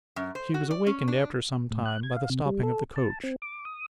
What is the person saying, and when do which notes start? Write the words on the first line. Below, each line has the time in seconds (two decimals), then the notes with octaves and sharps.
She was awakened, after some time, by the stopping of the coach.
0.16 F#2
0.35 C5
0.54 F#4
0.71 D5
0.87 C#4
1.08 D4
1.71 A2
1.86 F#6
2.03 G#6
2.16 F5
2.30 C3
2.46 G3
2.63 A4
2.96 A5
3.23 C4
3.42 D6
3.65 D#6